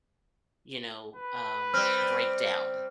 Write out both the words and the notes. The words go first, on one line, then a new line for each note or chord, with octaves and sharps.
you know, um, breakdown,
B4
G3 C4 F6